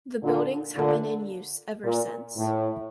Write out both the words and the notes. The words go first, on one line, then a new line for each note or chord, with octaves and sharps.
The buildings have been in use ever since.
A#2 D3
A#2 D3
A#2
A2